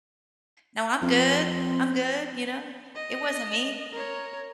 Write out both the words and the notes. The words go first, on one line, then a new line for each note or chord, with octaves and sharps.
"No, I'm good, I'm good, you know? It wasn't me."
F2 C4
D#5
A#4 C#5